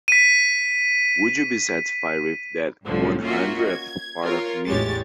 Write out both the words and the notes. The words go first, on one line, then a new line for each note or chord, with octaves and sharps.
Would you be satisfied with that one hundredth part of me.
B6 D#7
C2 A2 D3 F3
A#3 C#4 F4 F#4 D#5 E5
G#6
F4 A#4 C#5
A1 E2 G#3 G4 C#5 A6